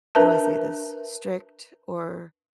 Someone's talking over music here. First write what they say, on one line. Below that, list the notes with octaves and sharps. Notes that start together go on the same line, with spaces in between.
how do I say this- strict or,
D4 A#4 B4 E5 A5